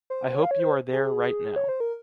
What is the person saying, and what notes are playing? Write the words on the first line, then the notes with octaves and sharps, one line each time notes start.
I hope you are there right now.
C5
C5
C#5
F5
C#5
C5
G#4
C#5
C5
A#4